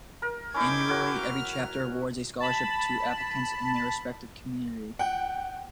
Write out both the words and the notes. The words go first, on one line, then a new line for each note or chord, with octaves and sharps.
Annually, every chapter awards a scholarship to applicants in their respective community.
A#4
C#4 D#4 E4 G5 D6 G#6
E4 F#4 A#4
F6
A5 B5
F#5 G5